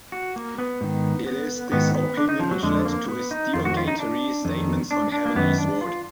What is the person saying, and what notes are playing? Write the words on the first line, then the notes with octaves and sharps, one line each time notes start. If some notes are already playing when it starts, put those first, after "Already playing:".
It is this opinion which led to his derogatory statements on "Heavenly Sword".
F#4
A#3
B3
G#2 D#3
B3
G#2 D#3 B3
B3
D4
D#4
F3
F#3
F2 D3 G#3
A#3
B3
D#4
F2 D#3 F4
F#4
F4
D#4
D4
F2 D#3
D4
D4
A#3
F#2 D#3 B3
D4
F4